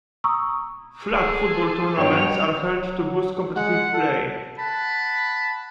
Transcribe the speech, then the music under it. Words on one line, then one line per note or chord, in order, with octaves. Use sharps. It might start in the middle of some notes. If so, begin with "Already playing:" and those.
Flag football tournaments are held to boost competitive play.
A#5 C#6 D#6 E6
G#4 A4
G2 B2 F#3 G3 C#5 G5 F7
F#3
G#3 F#5
A4
F#5 A5 B5